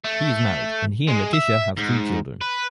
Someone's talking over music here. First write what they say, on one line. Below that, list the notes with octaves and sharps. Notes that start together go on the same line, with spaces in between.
He is married and he and Leticia have three children.
A3
G#3
E5
G#2
B4